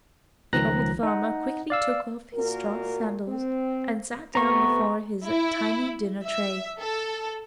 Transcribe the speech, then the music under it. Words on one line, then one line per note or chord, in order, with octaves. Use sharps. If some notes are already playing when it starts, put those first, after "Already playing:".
The old farmer quickly took off his straw sandals and sat down before his tiny dinner-tray.
C#2 D#3 F3 A#5 F#6 A#6
D#4 F#5
D5 F5 E6
A#2 F#4 A#4
C4
C3 A3 B3 A#5 C#6
E4
E5
A4